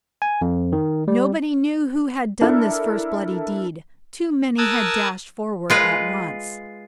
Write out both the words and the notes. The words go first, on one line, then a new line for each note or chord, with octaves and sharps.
Nobody knew who had done this first bloody deed; too many had dashed forward at once.
G#5
F2
D#3
G3
D4 E4 A4 A#4
A#4 A5 D#6 E6 F#6 G#6
G#3 F4 B4